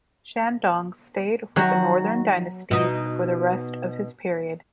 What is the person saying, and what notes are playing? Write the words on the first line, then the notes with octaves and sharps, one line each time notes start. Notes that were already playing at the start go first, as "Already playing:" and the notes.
Shandong stayed with the Northern Dynasties for the rest of this period.
D#3 F#3 F#4
B2 D#4